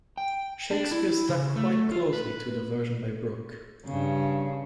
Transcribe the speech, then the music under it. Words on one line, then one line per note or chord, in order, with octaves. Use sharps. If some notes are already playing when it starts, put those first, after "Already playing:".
Shakespeare stuck quite closely to the version by Brooke.
G5
D4
E4
C#3
A3
F4
B4
G2 C#3